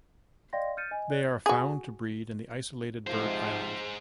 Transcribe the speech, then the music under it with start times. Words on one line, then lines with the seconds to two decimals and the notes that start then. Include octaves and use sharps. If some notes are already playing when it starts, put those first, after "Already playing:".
They are found to breed in the isolated bird island.
0.53 D5 D#5 F5 G5 C6 A#6
0.77 F6 G6 A6 C#7 D#7
0.91 D#5 G#5
1.10 D5 F#6
1.46 F#4 G#4
3.07 G#2 C3 F3 G#3 C5